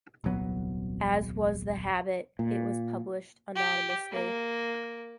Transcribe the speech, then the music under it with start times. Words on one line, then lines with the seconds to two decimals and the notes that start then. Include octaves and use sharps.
As was the habit, it was published anonymously.
0.24 D#1 C2 F#3 B3
2.39 A#2
3.56 G4
4.12 A#3